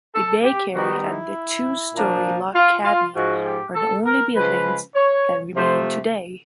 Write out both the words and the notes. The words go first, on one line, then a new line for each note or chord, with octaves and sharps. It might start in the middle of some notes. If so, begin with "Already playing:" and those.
The bakery and the two-story log cabin are the only buildings that remain today.
A4
G4
D#3 G3 B3 D#4 F#4
E4
A#2 F3 A#3 D4
F4
F4
G#2 F3 G#3 F#4
G4
A4
A#4
C#3 F3 G#3 B4
C#5
C3 F3 A3 C5